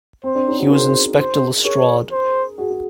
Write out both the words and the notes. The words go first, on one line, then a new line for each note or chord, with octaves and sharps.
He was Inspector Lestrade.
C4 C5
C4 D4
C#4 D#4
F#4 G#4
G#4 A#4 C5
C5
G#4 A#4 C#5
C5
F#4 G#4
G#4